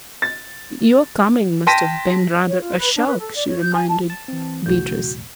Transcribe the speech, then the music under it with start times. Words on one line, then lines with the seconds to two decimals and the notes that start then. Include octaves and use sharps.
"Your coming must have been rather a shock," she reminded Beatrice.
0.22 A6
1.67 G5 A5 C6 A#6 B6 D#7
2.47 C#5
2.62 F4
2.77 B4
2.96 D4
3.08 B4
3.19 A4
3.36 D5
3.49 C#5
3.61 G6
3.74 G#5
3.89 A5
4.10 A5
4.28 E3 C4
4.66 B1 E2 A2 C#3 F#4 G6